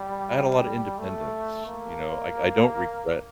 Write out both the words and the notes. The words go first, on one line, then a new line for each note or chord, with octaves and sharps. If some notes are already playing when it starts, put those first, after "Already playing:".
I had a lot of independence, you know, I I don't regret
Already playing: G3
A3
A#3